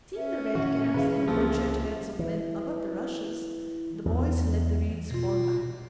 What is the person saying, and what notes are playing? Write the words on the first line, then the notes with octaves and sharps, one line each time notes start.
Seeing the red caps and kerchiefed heads of men above the rushes, the boys let the reeds fall back.
C#4 E5
A#2 D3 E3 F#4
B2 D3 E3 G#4 B4 E5 F5
C#2 C3 F3 A3 A#3
E3
E2
B2 F4